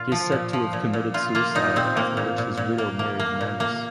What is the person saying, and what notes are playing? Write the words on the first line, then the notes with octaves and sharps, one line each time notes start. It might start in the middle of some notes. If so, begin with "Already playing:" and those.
He is said to have committed suicide, after which his widow married Ninus.
Already playing: A#2 F4
F3
A#2
F3
A#2
A#2
A#2 F4
A#3 F4
A#2 D#4
A#2 C4
A#3
A#2
A#2
A#2
A#3
A#3
A#3
A#2
A#3